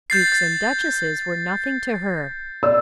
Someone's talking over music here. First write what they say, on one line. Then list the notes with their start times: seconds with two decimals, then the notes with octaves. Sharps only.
Dukes and duchesses were nothing to her.
0.10 G6 A6 C7
2.63 D5 E6